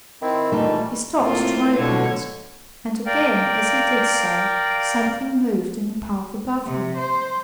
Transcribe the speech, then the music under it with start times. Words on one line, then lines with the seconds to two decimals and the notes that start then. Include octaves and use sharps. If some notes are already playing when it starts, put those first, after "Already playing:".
He stopped to open it, and again, as he did so, something moved in the path above him.
0.22 D#3 C4 E4
0.52 A#2 E3 G3 A3 D#4
1.20 A2 A3 A#3 C4 F4
1.77 B2 D3 A3 C#5
3.06 A#4 D5 F5 G5
6.66 C3
6.98 C5